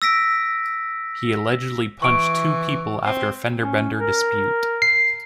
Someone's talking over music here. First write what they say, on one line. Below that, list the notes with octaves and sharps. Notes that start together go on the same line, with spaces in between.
He allegedly punched two people after a fender bender dispute.
E6 A#6 B6 D7
E3 C#6 D7
C4
C#4
A#4
C7